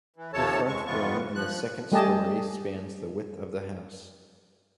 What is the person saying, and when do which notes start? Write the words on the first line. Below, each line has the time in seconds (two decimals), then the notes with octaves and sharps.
The front room in the second storey spans the width of the house.
0.16 E3
0.33 D#2 C3 F3 A4 C#5 A5
0.67 F2 G#3 C#6
0.86 F2 E3 B3 F4 C#6
1.35 F3 F#6
1.92 G3 A3 G4 G#4 D#5 A5